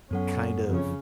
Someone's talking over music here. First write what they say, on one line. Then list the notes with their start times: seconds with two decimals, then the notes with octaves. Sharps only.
kind of
0.11 F#2 F#3 B3 C#4 A4 F#5
0.69 F2 C#3 C#4